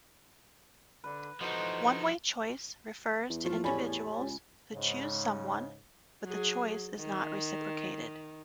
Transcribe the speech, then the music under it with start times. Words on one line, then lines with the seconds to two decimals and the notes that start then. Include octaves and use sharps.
One-Way Choice refers to individuals who choose someone but the choice is not reciprocated.
1.04 D3 B4
1.41 E3 F3 D#4 F#4 A4 C5 D#5
3.30 E2
3.44 F3 A3 F4
3.64 A2 G3 C#5 G#5 B5
4.20 C#2
4.74 G#2 C#3
6.23 F#3 G#4
6.99 D#3